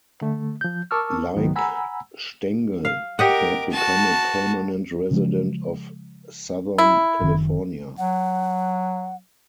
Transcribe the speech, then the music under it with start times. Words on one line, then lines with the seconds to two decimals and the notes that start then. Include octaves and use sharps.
Like Stengel, he had become a permanent resident of Southern California.
0.21 D3 A3
0.61 F3 G6
0.91 A#4 A5 C#6 D6 E6 F6
1.36 C#2 G#2 D#3 F#3 B3
1.55 F#5 G#5 A#5 B5 E6
2.85 F5
3.19 G4 A#4 D#5 F#5 D6
3.71 F#4 A5
5.11 C#3 F3 G#3
6.78 E4
7.21 F#1 D#3
7.98 F#3 F#5